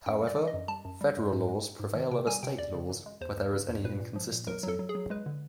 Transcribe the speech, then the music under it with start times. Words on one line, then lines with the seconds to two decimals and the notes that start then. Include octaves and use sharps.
However, federal laws prevail over State laws where there is any inconsistency.
0.06 F#2 G5
0.22 G3
0.27 D5
0.38 E3
0.47 D#5
0.54 F#2
0.68 G3 A5
0.85 F#2
1.01 G3
1.17 F#2
1.33 G#2
1.48 G#3
1.63 G#2
1.79 G#2
1.95 D#3
2.11 C3 G5
2.27 G3 G#5
2.43 C3 G5
2.58 E2 D5
2.74 C#3
2.89 E3
3.06 G#3
3.21 E2 C5
3.37 E2
3.53 C#3
3.68 E2
3.84 A#2 B4
4.00 A#2
4.16 F3
4.32 A#2
4.47 F#3 A#4
4.63 F#3
4.68 A4
4.79 F#3
4.89 G#4
4.95 F#3
5.10 G#3 B4
5.26 D3